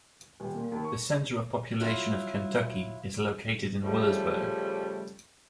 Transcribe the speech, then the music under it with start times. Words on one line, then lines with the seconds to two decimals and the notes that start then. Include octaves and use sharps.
The center of population of Kentucky is located in Willisburg.
0.40 D#1
0.54 A#2
0.72 D#2
0.84 C#6
1.80 F#3 E4 F4
3.83 C#3 F3 G3 A3